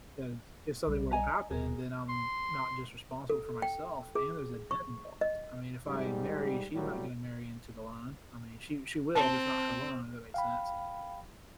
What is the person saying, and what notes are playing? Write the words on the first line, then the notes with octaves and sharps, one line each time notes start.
'Cause if something were to happen, then I'm not just responsible for myself and there's a debt involved. I mean, if I marry, she's not gonna marry into the loan, I mean, she she will, but it's not her loan, if that makes sense.
B1 G3
D#5 G#5 A#5
D#1 G#4 A#4
C6
A4
G5
G#4
C#6
D#5
G#2 G3
A2 F#3 G3
C4 A5
F5 G5 B5